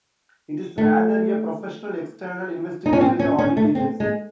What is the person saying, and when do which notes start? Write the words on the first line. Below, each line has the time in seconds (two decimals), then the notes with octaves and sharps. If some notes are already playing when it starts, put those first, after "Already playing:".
It is rather a professional external investigatory audit agency.
0.78 A3
2.86 D#4
2.93 C#4
3.01 C4
3.19 C#4
3.39 C#4
3.57 A3
3.75 C4
4.00 G#3